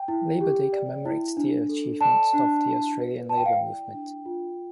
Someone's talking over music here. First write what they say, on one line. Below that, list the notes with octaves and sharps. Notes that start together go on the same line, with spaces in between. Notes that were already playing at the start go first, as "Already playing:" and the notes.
Labour Day commemorates the achievements of the Australian labour movement.
Already playing: G5
E4
G4
D5
E4
D4
A4
D5 A5
D4
E4
B4
D5 A5
G5
F5
G5
E4
D4
F4